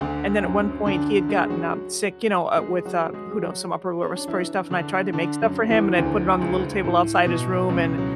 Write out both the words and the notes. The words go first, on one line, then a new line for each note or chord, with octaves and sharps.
and then at one point he had gotten, um, sick, you know, uh, with, uh, who knows, some upper lower respiratory stuff, and I tried to make stuff for him, and I'd put it on the little table outside his room and
D2 D3
F#2 F#3
D3 D4
G#3 G#4
F#3 F#4
G#3 G#4
F#3 F#4
G#3 G#4
G#4
F#3 F#4
C#4
D4
E3 E4
D3 D4
D3 D4
F#2 F#3
E2 E3
D2 D3
C#2 C#3
A2
B2
C#2 C#3
F#3